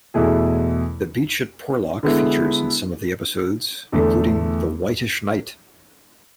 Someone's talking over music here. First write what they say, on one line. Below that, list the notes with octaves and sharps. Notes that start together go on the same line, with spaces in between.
The beach at Porlock features in some of the episodes including The Whitish Knight.
E2 B2 A3 E4 G#4
D3 G#3 B3 E4
E2 D3 A3